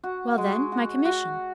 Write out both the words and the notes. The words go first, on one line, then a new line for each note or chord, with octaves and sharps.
"Well, then,--my commission?"
F#4
G#3
F#4
F#4